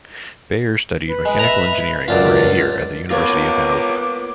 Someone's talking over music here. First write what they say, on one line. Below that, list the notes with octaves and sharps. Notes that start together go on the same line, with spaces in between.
Baer studied mechanical engineering for a year at the University of Hanover.
B4
G#3
E5 A#5
C#2 F#2 F4 D5
A#3 B3 F4 B4 C#5 D6